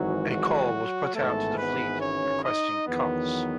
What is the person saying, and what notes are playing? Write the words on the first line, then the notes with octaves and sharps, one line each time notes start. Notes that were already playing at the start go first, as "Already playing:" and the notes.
A call was put out to the fleet requesting cots.
Already playing: G#1 G#2 E3 F#3 F#4
F#3 F#4
G#1 G#2 E3 A3 B3 A4
B3 B4
C#4 C#5
D#4 D#5
E2 D#3 F#3 B3